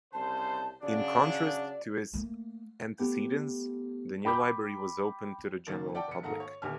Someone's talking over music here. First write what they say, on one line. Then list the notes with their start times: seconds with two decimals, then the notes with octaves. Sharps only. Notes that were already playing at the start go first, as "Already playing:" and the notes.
In contrast to its antecedents, the new library was open to the general public.
0.13 C2 C#3 C5 A5
0.82 C#3 F#3 D4 D5
2.13 A3 A#3
2.99 A3 B3 G4
4.25 G5 B5 D6 G6
5.67 F#1 D#3 A#3 A6
5.95 D5 F#5 G5 A5
6.08 F1 C#7
6.23 G#2 D#3 A3 F5 F#5 A#5
6.40 C#5
6.62 D#1 D2 G4 G#5 F6